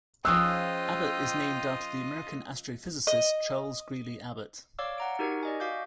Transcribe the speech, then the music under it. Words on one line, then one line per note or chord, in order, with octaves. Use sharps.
Abbot is named after the American astrophysicist Charles Greeley Abbot.
F3 C#4 F4 G#4 D#5 G5 E6 F#6
D#5
C#5 D5 F5 D6 E6
F#5 A#5 D7
D#4 F#4 G4 A#4 G#6
D5 D#5 G#5
F#4 F5 D6 G6